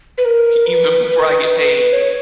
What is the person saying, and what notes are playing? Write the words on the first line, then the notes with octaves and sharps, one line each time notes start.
E even before I get paid,
B4
A#4
B4
C#5